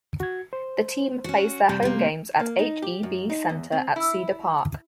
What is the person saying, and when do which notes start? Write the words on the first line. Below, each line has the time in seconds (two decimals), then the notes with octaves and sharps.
The team plays their home games at H-E-B Center at Cedar Park.
0.20 F#4 G#6
0.53 C5
1.24 C#4 F#4
1.69 C3 G3 G6
1.83 C3 A#3
2.40 A#3
2.59 D#4
2.82 G4
3.03 F#2
3.30 D#4
3.49 E2
3.72 C4
3.96 E4